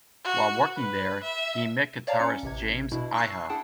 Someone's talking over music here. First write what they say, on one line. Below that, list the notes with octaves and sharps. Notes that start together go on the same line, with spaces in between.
While working there, he met guitarist James Iha.
F#4
B4
E5
C#5 D5 F5 A5 A#5
C#4 C#7
A1 C3 G#6
B2 D4 E4
C#6 E6 F#6 C7
D4 E4 G#4 F#5 G5 A5